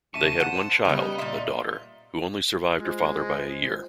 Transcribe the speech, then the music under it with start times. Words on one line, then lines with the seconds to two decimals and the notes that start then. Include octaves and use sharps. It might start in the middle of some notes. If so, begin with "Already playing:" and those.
They had one child, a daughter, who only survived her father by a year.
0.14 C#3 E5 A5 C#6 D#7
0.40 C5 F#5
0.85 C#3 G3 B3 D#4 G5
1.18 A#2 D5 E5 C6 D#6
2.80 G#3 F4 C5